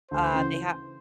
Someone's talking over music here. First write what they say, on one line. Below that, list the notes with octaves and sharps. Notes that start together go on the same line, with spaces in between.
U uh, they ha
D2 C5
C#3 E3